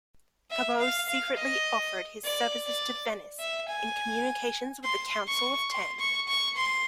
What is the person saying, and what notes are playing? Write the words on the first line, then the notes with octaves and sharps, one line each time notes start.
Cabot secretly offered his services to Venice in communications with the Council of Ten.
E5
F5
F5
D#5
D5
D5
E5
G#5
C6
C#6
C6
C#6
C#6
C6